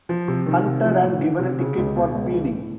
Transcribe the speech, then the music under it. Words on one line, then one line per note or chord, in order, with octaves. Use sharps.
Hunter and given a ticket for speeding.
F3
C3
D#3
C3
F3
A2
E3
C3
C#3
C#2
B2
C#2
E3
A2